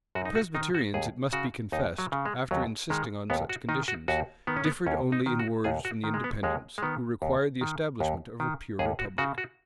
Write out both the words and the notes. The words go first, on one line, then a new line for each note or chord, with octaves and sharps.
The Presbyterians, it must be confessed, after insisting on such conditions, differed only in words from the Independents, who required the establishment of a pure republic.
F#2 F#4
D#4
F#4
D#3 D#4
F#4
D#2 G#4
C#3 F#4
D#2 D#4
F#3
C#3
G#3
D#2 F#3
D#3 G#3
D#2 B3
F#4
D#3 D#4
F#4
D#2 F#4
D#3 B3
C#4
B3
D#2 C#4
D#4
D#3
F#4
D#2 G#4
F#4
D#3
G#3
B3
D#2 G#3
G#3
D#3 B3
D#2
D#3
D#2
D#3
D#2 G#4
F#4
C#3 F#4
F#4